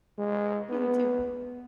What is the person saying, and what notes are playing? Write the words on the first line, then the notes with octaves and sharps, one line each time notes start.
Yeah, you too.
G#3
B3